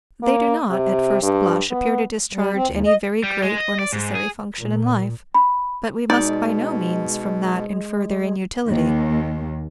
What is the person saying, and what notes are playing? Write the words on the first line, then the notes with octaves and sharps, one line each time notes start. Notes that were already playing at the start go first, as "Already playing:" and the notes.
They do not, at first blush, appear to discharge any very great or necessary function in life; but we must by no means, from that, infer their inutility.
A#3
C3
G2
B3
G3
C4
D#2
D#5
G3
G#3
D#5
D5
G#2
G#4
A#2
B5
B2 G#3 D#4 D5
D#2